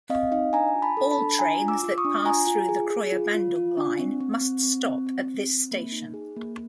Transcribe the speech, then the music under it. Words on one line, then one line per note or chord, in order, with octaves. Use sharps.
All trains that pass through the Kroya–Bandung line must stop at this station.
C4 D#5 F5
D#4 D#5 F5
D4 G#5 A#5
F4
A5 B5
A4
A5 B5
D4
D4 G#5 A#5
F4
D6 E6
F4
C#6 D#6
D4
F4 G#5 A#5
F4
G#4
G#4
F4
F4
F4
D4
C4
C4
C4
C4
C4
C4
C4
C4
A#3
D#4
G#4
A#3